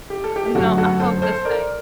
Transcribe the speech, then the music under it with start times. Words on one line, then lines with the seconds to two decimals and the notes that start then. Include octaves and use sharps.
You know, I hope the same.
0.10 G4
0.24 A4
0.36 G4
0.46 G4
0.55 G1 F#2 F#3 A3 F#4 A4
0.77 F#4 A4
1.00 A4 C5
1.22 A4 C5
1.45 A#4 D5